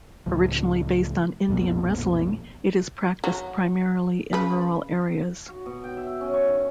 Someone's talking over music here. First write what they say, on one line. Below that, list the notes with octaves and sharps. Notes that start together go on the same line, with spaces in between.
Originally based on Indian wrestling, it is practiced primarily in rural areas.
C#2 A2 F3
B1 F2 A#2 B3
F#3
C#3 B4 B5
F#4
B2
G5
E5
C#4
C#6
D#3